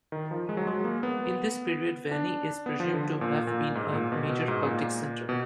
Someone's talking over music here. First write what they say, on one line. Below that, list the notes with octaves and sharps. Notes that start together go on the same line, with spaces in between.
In this period Vani is presumed to have been a major cultic centre.
D#3
F3
G#3
F#3
G#3
A#3
B3
D4
B3
F3
D3
A#2
A#2
G#2
A#2
B2
B2
G#2
A#2
B2